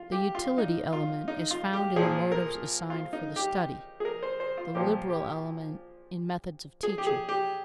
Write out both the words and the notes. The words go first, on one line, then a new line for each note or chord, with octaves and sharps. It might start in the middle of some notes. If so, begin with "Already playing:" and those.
The "utility" element is found in the motives assigned for the study, the "liberal" element in methods of teaching.
Already playing: F4
G4
F4
D#4
F4
D#4
F4
G4
A#2 F3 G#4
A#4
F4
D#4
G4
G#4
A#4
C5
C5
F4
A#2 F3 G4
G4
G#4
G4
G#4
G4